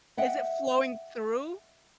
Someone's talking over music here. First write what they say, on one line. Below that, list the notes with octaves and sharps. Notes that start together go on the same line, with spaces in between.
is it flowing through?
D#5 E5 F#5 G5